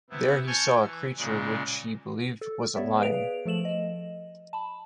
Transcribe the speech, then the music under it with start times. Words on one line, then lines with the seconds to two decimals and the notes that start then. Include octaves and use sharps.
There he saw a creature which he believed was a lion.
0.10 C3 B3 E4
0.47 G#5 A5 C#6 F6 G6 G#6
0.84 E3
1.17 A#2 C#3 G#3
2.41 A4
2.76 B3 C#5 D5 E5
2.99 G#4 B4 F5 D7 F7
3.46 F3 A3 A4 E7 F#7
3.65 D#5
4.53 A5 B5